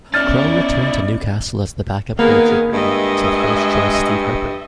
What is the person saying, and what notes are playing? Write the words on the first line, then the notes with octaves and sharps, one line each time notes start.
Krul returned to Newcastle as the backup goalkeeper to first choice Steve Harper.
B3 C#4 D#4 E4 D5 F6 A6
D#3 A#3 B3 G#4 A#4
G2 G#3 D#5 E5